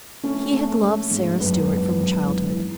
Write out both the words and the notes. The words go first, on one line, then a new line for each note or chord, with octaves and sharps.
He had loved Sara Stuart from childhood.
A3 C#4
A3
A3
G#2
F#2 B3
E3
F#2
E3
E3